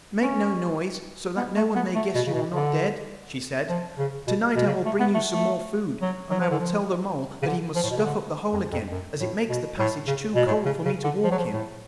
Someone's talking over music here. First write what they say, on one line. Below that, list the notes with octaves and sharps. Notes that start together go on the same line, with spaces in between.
'Make no noise, so that no one may guess you are not dead,' she said. 'To-night I will bring you some more food, and I will tell the mole that he must stuff up the hole again, as it makes the passage too cold for me to walk in.
C#4
B3
A3
B3
A3
B2
C#3
B2
D3
F3
C#3
B2
B2
C#3
A3
B3
A3
A3
F#3
F#3
F3
D3
F3
C#3
D3
F3
A2
B2
C#3
D3
F2
F2
F#2
A2
B2
A2
C#3
B2
A2
C#3
C#3
D3
F3
F#3
F3
A2